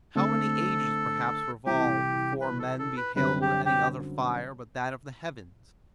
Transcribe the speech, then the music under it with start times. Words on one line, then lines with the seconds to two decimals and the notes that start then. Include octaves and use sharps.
How many ages perhaps revolved, before men beheld any other fire but that of the heavens?
0.15 D3 A3 C4 A4
1.66 C2 C3 E3 G4
2.41 B4
2.59 A4
2.79 A4
2.97 B4
3.16 F#2 D3 G3 C4 B4
3.42 G4
3.66 G4